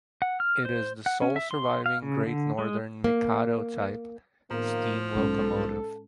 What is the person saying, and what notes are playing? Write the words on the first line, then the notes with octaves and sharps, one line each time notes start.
It is the sole surviving Great Northern "Mikado" type steam locomotive.
F#5
F6
C5
F#5
C#4
E5
C6
F5
C#3
D3
G#3
A#3
A2 D#3 F3 A#3 B3
B1 G#2 G#3 B3 C#4 A4